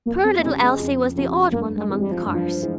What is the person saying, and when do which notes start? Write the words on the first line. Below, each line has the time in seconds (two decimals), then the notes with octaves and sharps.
Poor little Elsie was the "odd one" among the Carrs.
0.06 F2 A#3
0.25 C4
0.39 A#3
0.42 C#3 F3 G#3 C4 G4
0.61 G#3
0.79 F2
1.16 C#3 F3 C4 G4
1.52 G2 A#3
1.77 G#3
1.88 E3 G#3 C4 G4
2.00 G3
2.12 F3
2.25 G2
2.34 F3
2.62 E3 G#3